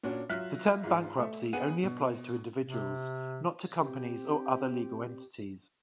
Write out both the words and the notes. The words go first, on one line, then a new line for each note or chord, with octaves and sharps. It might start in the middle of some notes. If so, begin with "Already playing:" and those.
The term bankruptcy applies only to individuals, not to companies or other legal entities.
A#2 C#4 D4 F#4
F#3 F4 E5 F6 F#6 B6
G#2 F4
A3 E5
B3 G#4 F#5 D#7
B2
C3
C4 G4